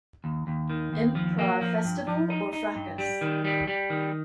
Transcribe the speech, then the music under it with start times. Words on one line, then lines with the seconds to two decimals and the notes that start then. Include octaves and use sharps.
Improv Festival", or "Fracas!
0.24 D#2
0.47 D#2
0.70 D#3
0.93 D#2
1.15 F3
1.39 A#3
1.61 F3
1.84 G2
2.07 F3
2.30 D#4
2.53 D#4
2.76 G2
2.98 G3
3.21 D#3
3.44 G3
3.67 G3
3.90 D#3